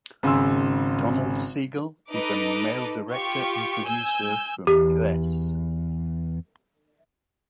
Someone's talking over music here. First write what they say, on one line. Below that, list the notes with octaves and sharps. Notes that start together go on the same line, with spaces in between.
Donald Siegel is a male director and producer from US.
G#1 C#3 G#5 C6 E6
D#4 A4 B4 D6
F4 G4 C#6
G#5 E6 G6
E2 G4